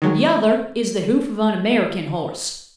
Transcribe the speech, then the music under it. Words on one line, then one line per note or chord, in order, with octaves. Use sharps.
The other is the hoof of an American horse.
D#3 F#3 G#3